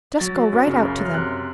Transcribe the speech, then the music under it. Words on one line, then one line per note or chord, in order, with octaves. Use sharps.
Just go right out to them.
F#3 A6
F#3
F#2
C#3
F#2
F#2
F6
C3 F#6